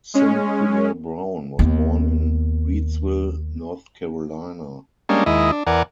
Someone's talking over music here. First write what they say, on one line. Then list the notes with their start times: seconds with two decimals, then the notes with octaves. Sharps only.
Cynthia Brown was born in Reidsville, North Carolina.
0.14 G#3 C#4
1.59 D#2 B3
5.09 G3 G#3 A#3 C#4 D4
5.26 D#2 G#3 E4 D#5
5.52 D4
5.67 E2 A#4 D5 F#5 G#5